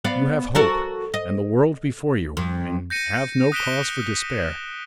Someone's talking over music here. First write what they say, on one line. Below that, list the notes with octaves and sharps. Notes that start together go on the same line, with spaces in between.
You have hope, and the world before you, and have no cause for despair.
B3 D5 F5
F#4 A4 A#4
D#5
F2
G6 A#6 C#7 D#7
D#6 F#6 B6 D7 E7 G7